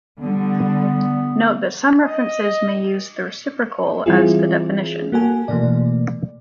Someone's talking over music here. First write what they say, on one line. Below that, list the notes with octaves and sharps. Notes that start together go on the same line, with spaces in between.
Note that some references may use the reciprocal as the definition.
D3 G3 B3
D#5
E3 G3 C4 E4 F4 G#4
A#3 F#4 A4 G#5
B2 E3 A3 A#3 D5